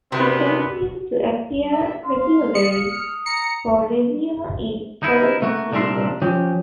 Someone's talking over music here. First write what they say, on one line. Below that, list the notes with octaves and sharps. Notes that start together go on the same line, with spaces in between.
He continued to appear regularly for Lazio in the following seasons.
C3 B3 F#4 A#4 D5
E5
F5 C6
D#6 C#7
F6
A#5 C#7
D#4 E4 A#4
A3 A#3 F#4
C2 A#2 D4 A#4 E5 C6
F3 C#4 G4